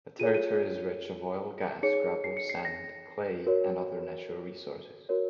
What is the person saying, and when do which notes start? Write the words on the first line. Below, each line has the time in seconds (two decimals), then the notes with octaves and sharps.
The territory is rich of oil, gas, gravel, sand, clay and other natural resources.
0.19 F4 G#4 C#5 D#7
0.34 D#7
1.83 D#4 G#4 C#5 C#7
2.24 C7
2.37 C#7
2.49 C7
2.65 A#6
3.47 F#4 A#4 C#5
5.09 F#4 A#4 C#5